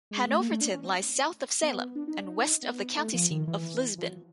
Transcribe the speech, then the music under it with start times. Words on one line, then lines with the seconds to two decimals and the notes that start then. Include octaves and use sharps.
Hanoverton lies south of Salem and west of the county seat of Lisbon.
0.11 G#3
0.28 A3
0.40 A#3
0.51 A3
0.61 D4
0.73 C#4
0.84 C4
1.63 B3
1.96 D4
2.08 D#4
2.18 D4
2.29 D#4
2.63 B3
2.97 A3
3.14 F3
3.31 D#3
3.47 E3
3.98 F3
4.09 F#3